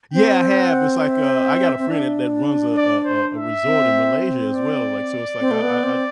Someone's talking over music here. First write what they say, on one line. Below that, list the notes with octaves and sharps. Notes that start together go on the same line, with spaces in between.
Yeah, I have, it's like, uh I got a friend that that runs a a a a resort in Malaysia as well, like, so it's, like, I I I
C4 G5
F#5
E5
C4
D4
D5
C5
E5
C4
D5
C4
A3
B3
C4